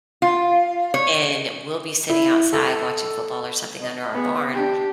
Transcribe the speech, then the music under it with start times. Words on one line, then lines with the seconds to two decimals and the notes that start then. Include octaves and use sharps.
And we'll be sitting outside watching football or something under our barn,
0.22 F4
0.94 C#5
2.09 E4
2.53 A4
3.81 D#5
4.13 B3 G#4
4.53 D4 G4